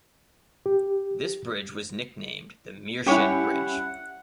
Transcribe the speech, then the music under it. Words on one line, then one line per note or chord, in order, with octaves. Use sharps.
This bridge was nicknamed the "Mierscheid Bridge".
G4
G3 C#4 E4 G4 C#5 F#5 G#5